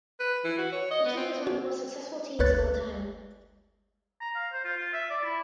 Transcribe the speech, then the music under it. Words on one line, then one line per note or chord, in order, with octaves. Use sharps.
The team is one of the most successful teams of all time.
B4
E3
F#4
C#5
D#5
B3
C4
F#4
G1 D2 B4 C#5 F#6 A6
A#5
F5
C5
F4
F4
E5
D5
E4